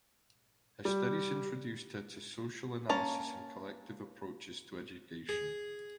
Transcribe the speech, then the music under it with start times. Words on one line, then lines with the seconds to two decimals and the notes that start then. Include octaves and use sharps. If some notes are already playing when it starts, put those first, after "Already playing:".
Her studies introduced her to social analysis and collective approaches to education.
0.85 G3
2.89 A#3 C#4 A5 A#5
5.29 G#4